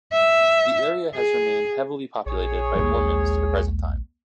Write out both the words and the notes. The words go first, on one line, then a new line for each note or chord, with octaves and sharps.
The area has remained heavily populated by Mormons to the present time.
E5
G#4
A#1 G#4 C#5
D#2 G#3